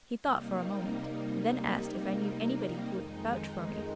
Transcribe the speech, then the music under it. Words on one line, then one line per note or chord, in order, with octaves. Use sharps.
He thought for a moment, and then asked if I knew anybody who would vouch for me.
C3 G3 A#3 D#4
F2 D#3 G#3 D#4